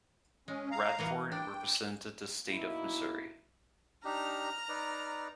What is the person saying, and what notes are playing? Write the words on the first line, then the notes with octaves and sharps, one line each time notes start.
Radford represented the state of Missouri.
G#3 C#4
F5 A#5
E3 A#3 B3
D4 G5
B2 A#3 D#4 E4
D4 D#4 G4 A#5 F6
D#4 B4 D5